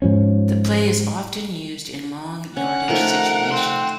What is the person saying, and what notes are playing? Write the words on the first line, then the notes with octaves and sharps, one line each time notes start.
The play is often used in long yardage situations.
G#2 F3 C#4
C#4 F#5
D#3 F3 A3 A#4
G5 C6